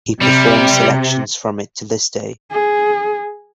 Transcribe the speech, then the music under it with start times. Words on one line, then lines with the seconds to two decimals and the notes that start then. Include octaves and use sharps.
He performs selections from it to this day.
0.21 C3 G3
2.51 G#4